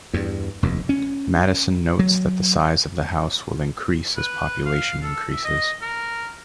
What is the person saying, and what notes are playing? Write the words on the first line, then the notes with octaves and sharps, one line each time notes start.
Madison notes that the size of the House will increase as population increases.
E2 G2
F1 D#2
C#4
F#3
B4
F5
A4
E5
D#5
A#4